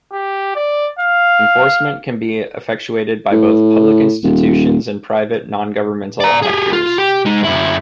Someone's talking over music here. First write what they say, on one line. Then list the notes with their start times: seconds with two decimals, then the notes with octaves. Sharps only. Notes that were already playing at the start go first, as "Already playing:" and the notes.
Enforcement can be effectuated by both public institutions and private, non-governmental actors.
0.12 G4
0.56 D5
0.99 F5
3.31 A2
4.23 D#1
6.20 D5 A#5
6.42 G4 G#4
6.73 F4
6.98 G4
7.26 G#3 D#4
7.45 F#2 E4